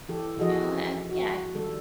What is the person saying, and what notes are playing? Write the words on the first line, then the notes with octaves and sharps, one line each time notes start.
you know, eh, yeah, I
E3 G4 A4
E3 F3 F#4 G#4 A4 D#5
D#5
F#4
D#3 G3 A4